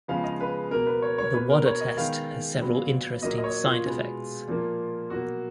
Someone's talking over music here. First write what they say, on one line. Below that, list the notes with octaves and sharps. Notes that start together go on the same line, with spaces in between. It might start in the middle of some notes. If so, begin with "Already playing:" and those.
The Wada test has several interesting side-effects.
C#3 F3 G#3 B3 F5
D#5
B4
B2 A#3 A#4
B4
C#5
C#5
B2 A#3 B4
A#4
C#5
D#5
D#3 G#3 B3 F5
A#2 F#3 B3
A#2 F#3 A#3 D#5
D#5
C#5
F4
B2 G#3 B3
A#2 F3 A#3
B2 F#3 A#3 F#4